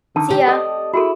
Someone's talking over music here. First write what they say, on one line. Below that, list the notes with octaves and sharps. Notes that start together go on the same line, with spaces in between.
See ya!
D3 D#3 A5
C4 G4
A4 D5 D#5
E4 F#4 G#4 A4